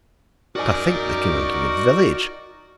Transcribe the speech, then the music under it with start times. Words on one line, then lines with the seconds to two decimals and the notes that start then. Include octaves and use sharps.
I think they came into the village.
0.56 D#4 F#4 A#4 D5 G#5